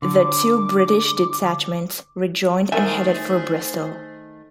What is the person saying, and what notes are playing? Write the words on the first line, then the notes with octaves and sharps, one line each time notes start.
The two British detachments rejoined and headed for Bristol.
D3 D6
D#3 A3 G#4 A#4 C5 E5 G#5